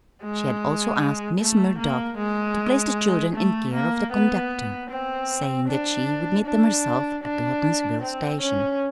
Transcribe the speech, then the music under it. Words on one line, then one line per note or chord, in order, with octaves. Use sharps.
She had also asked Miss Murdock to place the children in care of the conductor, saying that she would meet them herself at the Houghtonsville station.
G#3
A3
A#3
G#3
A3
A#3
B3
C4
D4
D4
D4
C4
C#4